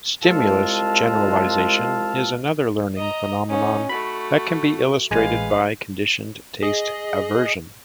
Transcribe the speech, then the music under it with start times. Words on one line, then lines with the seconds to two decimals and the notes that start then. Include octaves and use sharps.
Stimulus generalization is another learning phenomenon that can be illustrated by conditioned taste aversion.
0.24 C2 G#3 F4 A4 F5 A5
2.97 D#5 A#5
3.49 C#4 D#4
3.90 A3 F#4 B5
5.11 A1 G#3 B4 F5 G#5
6.63 G#4 D#5